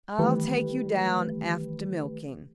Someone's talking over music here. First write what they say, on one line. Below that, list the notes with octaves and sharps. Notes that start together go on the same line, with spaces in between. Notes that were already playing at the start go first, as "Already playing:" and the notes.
"I'll take you down after milking."
D#3 E3 G3 A3 G4 B4